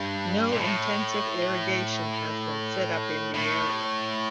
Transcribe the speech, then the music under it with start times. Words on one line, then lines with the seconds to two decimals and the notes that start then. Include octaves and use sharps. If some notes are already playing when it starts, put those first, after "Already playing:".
No intensive irrigation has been set up in the area.
Already playing: G2
0.51 A#2
0.59 A2
3.34 A2